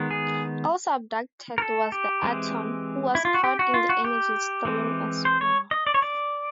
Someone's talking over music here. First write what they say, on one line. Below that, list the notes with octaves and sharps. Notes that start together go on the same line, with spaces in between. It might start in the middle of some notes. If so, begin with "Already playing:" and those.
Also abducted was The Atom, who was caught in the energy stream as well.
Already playing: D#3 G#3 B3
G#4
A#4
A4
G4
E3 G#3 C4
E4
F4
F#4
G4
F#4
F4
F#4
G4
E3 G#3 C4
C5
C#5
D#5
D5
C#5
D5